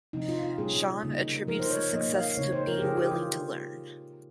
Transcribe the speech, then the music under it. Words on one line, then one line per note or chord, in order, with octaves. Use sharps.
Shawn attributes the success to being willing to learn.
C3 F3 C4 D#4
F4
F4
A#2 G3 C#4 G#4
C#3 G3 A#3 D#4
F3 G#3 D#4 A#4
C5
C#5
A#2 F3 A#3 D#4 D#5
F5
C#3 G#3 C4 D#4 C#5
C5
A#4
G4
C#3 G#3 D#4 G#4
G4
F4